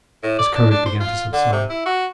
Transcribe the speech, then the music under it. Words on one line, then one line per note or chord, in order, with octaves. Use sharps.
His courage began to subside.
A2
D5
D4
D4
C5
F4
D3
C3
E4
F#4